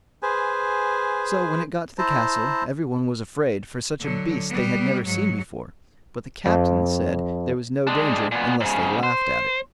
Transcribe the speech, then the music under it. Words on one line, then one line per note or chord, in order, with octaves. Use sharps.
So when it got to the castle every one was afraid, for such a beast they had never seen before; but the captain said there was no danger unless they laughed at it.
G#4 B4 C5 G#5
E4 C5 A5 A#5
D3 F#3
G3 B3
G#2 F#3
F2
G#3 D4
A#2 B3
G#2 C#3
C5